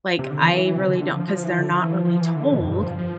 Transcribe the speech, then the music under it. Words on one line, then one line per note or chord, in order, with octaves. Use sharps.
Like, I really don't 'cause they're not really told,
C3
D3
E3
E3
E3
C3
D3
D3
F3
F3
E3
D3
F3
E3
F3
F3
E3
D3
B2
F2
G2
F3
F3